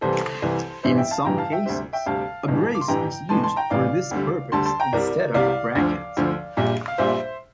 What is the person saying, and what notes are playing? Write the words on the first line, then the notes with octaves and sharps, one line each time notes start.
In some cases, a brace is used for this purpose instead of a bracket.
C2 C3 E3 A4 C5
C2 C3 E3
A1 G2 E3 G3 C5 E5
E5 G5
F5 A5
A1 G2 E3 G3 G5 A#5
F5 A5
E5 G5
D2 C3 G3 C5 E5
E5 G5
D2 C3 G3 F5 A5
A1 G2 E3 G3
D6
C6
A1 G2 E3 G3 G5 A#5
A1 A2 E3 A5 C6
A5 C6
G5 A#5
A1 A2 E3 D5 F5
D2 D3 G3
D2 D3 G3 A5 C6
A5 C6
G5 A#5
C2 C3 G3 A#4 D5
C2 C3 G3 D5 F5
D2 D3 F3
D2 D3 F3
A#1 A#2 G3
F5
A#1 A#2 G3 C5 E5